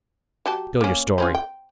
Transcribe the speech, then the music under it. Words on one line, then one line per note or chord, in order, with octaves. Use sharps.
"Spill your story."
F#3 G4 A5
A#3 C#4
C4 C#4 F4
G5